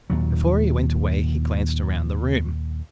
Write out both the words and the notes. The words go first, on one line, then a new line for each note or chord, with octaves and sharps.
Before he went away, he glanced around the room.
D#2 A#2 F#3